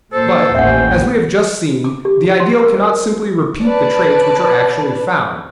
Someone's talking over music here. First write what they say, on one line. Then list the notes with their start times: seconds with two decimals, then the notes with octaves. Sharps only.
But, as we have just seen, the ideal cannot simply repeat the traits which are actually found.
0.13 A#2 A4 C5
0.55 A1 D#2 C#4 E5 F#5 G5
1.84 D6
2.05 G4
2.40 C6
2.63 A#4
2.77 C5
3.63 B4 C#5 D5 A5